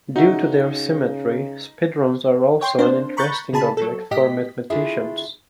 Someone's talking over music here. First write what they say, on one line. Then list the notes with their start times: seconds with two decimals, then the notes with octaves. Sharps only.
Due to their symmetry Spidrons are also an interesting object for mathematicians.
0.16 C#3 D#4 F#4 E5 F5
2.61 C#5 G5 C6
2.78 A#3 C4 D4 C5
3.17 A#5 B5 C#6 F#6 G6 A6
3.53 C#3 G#4 A5 B5
3.77 F#3 A4
4.11 A2 G4 D#5 B6
4.70 D2 D4 E4 F4 G#4 E5